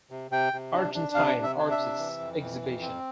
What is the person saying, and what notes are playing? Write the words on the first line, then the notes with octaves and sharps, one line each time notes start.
Argentine Artists Exhibition.
C3
C3 G5
C3
D4
D4
C3 F5
C3
E5
D4
E5
C3
E3
F2
E3
F2
C4